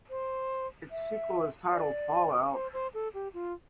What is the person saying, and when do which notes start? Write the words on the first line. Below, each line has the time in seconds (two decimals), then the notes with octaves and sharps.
Its sequel is titled "Fallout".
0.10 C5
0.91 E5
1.72 D5
2.53 C5
2.73 C5
2.94 A4
3.14 G4
3.34 F4